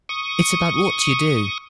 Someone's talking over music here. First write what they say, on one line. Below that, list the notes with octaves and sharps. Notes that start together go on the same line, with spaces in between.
It's about what you do.
C#6 D#6